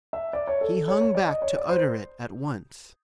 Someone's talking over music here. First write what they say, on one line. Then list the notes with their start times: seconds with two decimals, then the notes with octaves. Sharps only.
He hung back to utter it at once.
0.13 E5
0.33 D5
0.47 C#5
0.61 A4
0.75 A4
0.88 C#5
1.01 C#5
1.15 D5
1.28 D#5
1.42 C#5
1.56 D5
1.69 C5